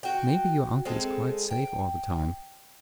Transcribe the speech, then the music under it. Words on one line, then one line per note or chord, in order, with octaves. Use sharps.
Maybe your uncle is quite safe all the time.
F#4 G5
G#3 C4 G#4 A4
G5